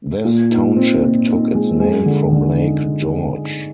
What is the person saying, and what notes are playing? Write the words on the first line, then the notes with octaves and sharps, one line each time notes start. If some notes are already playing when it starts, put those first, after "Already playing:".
This township took its name from Lake George.
A#2
D#4
C4
A#2
D#4
G#3
G#3
D3
D3
D#4